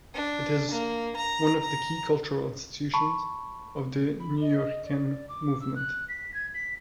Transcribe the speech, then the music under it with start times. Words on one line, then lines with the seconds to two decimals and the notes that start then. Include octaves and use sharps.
It is one of the key cultural institutions of the Nuyorican Movement.
0.14 D4
0.71 A#3
1.17 A#5
1.62 A#5
2.94 A5 B5 C#6
4.20 B5
4.41 D#5
4.85 D5
5.28 D6
5.60 E6
5.75 F#6
6.08 B6
6.33 G#6
6.54 B6